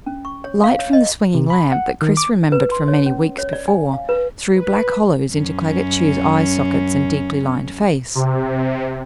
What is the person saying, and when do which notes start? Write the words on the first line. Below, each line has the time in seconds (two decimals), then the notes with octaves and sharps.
Light from the swinging lamp that Chris remembered from many weeks before threw black hollows into Claggett Chew's eye sockets and deeply lined face.
0.06 C#4
0.25 C#6
0.44 C#5
0.64 F5
0.79 C#5
0.93 D#5
1.34 C3
1.50 B5
1.72 F#5
2.02 D#3
2.17 D6
2.52 B4
2.71 C6
2.88 C#5
3.06 C#4
3.39 C#5
3.53 D5
3.68 G#5
3.93 F5
4.09 B4
4.57 B4
5.30 F#2 C#4
8.15 C3